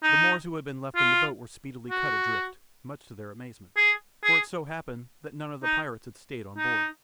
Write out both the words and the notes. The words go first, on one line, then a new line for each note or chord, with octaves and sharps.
The Moors who had been left in the boat were speedily cut adrift, much to their amazement, for it so happened that none of the pirates had stayed on board.
D#4
F4
F#4
G#4
G#4
D#4
D#4